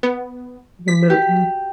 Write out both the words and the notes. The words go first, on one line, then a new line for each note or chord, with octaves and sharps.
You're moving.
B3
B6
G4